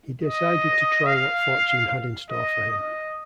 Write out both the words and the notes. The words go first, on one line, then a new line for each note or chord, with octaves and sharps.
He decided to try what fortune had in store for him.
D#5
F5
D#5
D#5